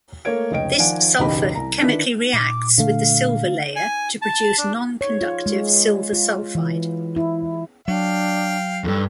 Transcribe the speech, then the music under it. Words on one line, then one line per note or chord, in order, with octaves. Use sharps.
This sulfur chemically reacts with the silver layer to produce non-conductive silver sulfide.
A3 A#3 A#4 C#5 G#6 D7
F1 C#2 C#5 D#5 G5 D7
D#3 F3 D5 F#5 G#5 D7
E1 C#2 G#2 G4 D#5 B5
C2 A#5
D3 D#3 D4 E4 B4 B6
A#2 D6
D3 A3 F5
G#5
A5
D4
C#5
F4
G#3
F4
E3
E4
F#3 D4 F5 G5
E2 G2 A4